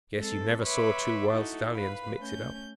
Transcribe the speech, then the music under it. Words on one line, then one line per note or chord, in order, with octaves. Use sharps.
"Guess you never saw two wild stallions mix it up."
G#3 C4 A4
B4 C#5 E5 B5 C6 D6
D#4 E4 F#4 A4
B4 F5 B5
A3 C#4 G6